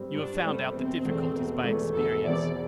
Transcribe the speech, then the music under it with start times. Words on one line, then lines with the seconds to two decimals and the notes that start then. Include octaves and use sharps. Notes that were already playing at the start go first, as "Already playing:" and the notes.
'You have found out the difficulties by experience.'
Already playing: G2 G3 C4
0.14 G2 D4
0.44 G3 A3 C4
0.74 E1 C4
1.05 E2 E3 A3
1.35 E1
1.64 E2 E3 A3
1.93 E1 A4
2.24 E2 E3 C4 E4 D5